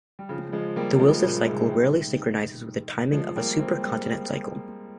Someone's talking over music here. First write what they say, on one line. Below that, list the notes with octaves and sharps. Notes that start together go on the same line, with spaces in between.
The Wilson cycle rarely synchronizes with the timing of a supercontinent cycle.
G3
C#3 F3
F3 G#3
G3 A#3
F3 G#3
A#2 C#3
G#2 C3
D#3 G3
F3 G#3
G3 A#3
G#3 C4
G3 A#3